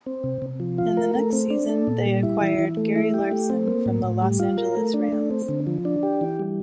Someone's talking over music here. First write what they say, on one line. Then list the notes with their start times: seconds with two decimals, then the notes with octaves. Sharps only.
In the next season they acquired Gary Larsen from the Los Angeles Rams.
0.06 C4
0.24 C3
0.42 C3
0.60 F3
0.78 F4
0.97 A#4
1.15 A3
1.33 C4
1.50 D4
1.69 A4
1.87 A#2
2.06 G3
2.23 E4
2.41 E3
2.59 E3
2.77 A3
2.96 E4
3.14 G4
3.32 A3
3.50 C4
3.68 A#3
3.86 A2
4.04 A2
4.22 G3
4.40 F4
4.58 A#4
4.77 A3
4.94 D4
5.12 A3
5.31 C4
5.49 D3
5.67 F3
5.85 D4
6.03 G4
6.21 E3
6.39 G3